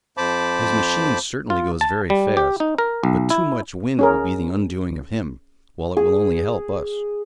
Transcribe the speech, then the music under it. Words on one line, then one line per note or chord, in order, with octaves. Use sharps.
His machine certainly goes very fast, but too much wind will be the undoing of him, while it will only help us.
F2 C5 A5 B5 D6
F4
A5
G3
G4
D#4
A#4
B1
E4
C#4 G#4 A#4
G#4